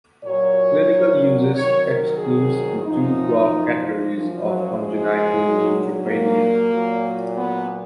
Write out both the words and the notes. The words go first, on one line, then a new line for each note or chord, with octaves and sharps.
Clinical usage excludes two broad categories of congenital neutropenia.
A#2 F#3 C#5
F2 D#3 F#3 C#5
A#4
G#4
F#2 F3 D#4
F#2 F3
F#3
G#3
A#2 F#3
A#3
A#2 F#3
B3